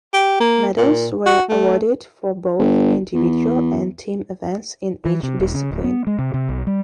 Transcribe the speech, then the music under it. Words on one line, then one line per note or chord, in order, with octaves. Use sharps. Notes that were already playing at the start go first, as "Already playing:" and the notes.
Medals were awarded for both individual and team events in each discipline.
G4
A#3
A#2
F#4
A3
G1
E2
E3
C3
D#1
C#3
D1
B3
G#3
C3
C3
B1
G3